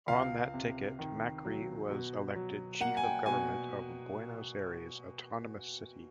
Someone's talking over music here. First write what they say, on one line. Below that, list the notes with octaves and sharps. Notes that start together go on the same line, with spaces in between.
On that ticket, Macri was elected Chief of government of Buenos Aires Autonomous City.
C#2 F5
C3
D#3
F#3
B2
F#3
A#3 F#5
G#5
G5
B2 G#5